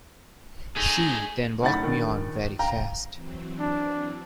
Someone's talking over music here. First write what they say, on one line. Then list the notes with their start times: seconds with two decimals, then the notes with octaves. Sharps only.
She then walked me on very fast.
0.76 A3 D#4 G#4
1.62 F#1 A2 D#4 F#5 B5 A6
1.83 A#1 D#3
2.59 F5 G5 A#5
3.14 E3 F#3 C4
3.60 D4